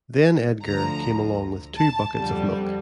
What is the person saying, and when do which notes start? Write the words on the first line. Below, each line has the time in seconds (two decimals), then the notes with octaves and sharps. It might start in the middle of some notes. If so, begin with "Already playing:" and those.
Then Edgar came along with two buckets of milk.
0.64 D2 D3 F3 A#5
1.77 A5
2.15 F2 D3 G3